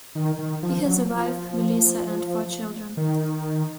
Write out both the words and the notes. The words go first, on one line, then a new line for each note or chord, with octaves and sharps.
He has a wife, Melissa, and four children.
D#3
D#3
F3
F#3
F3
D#3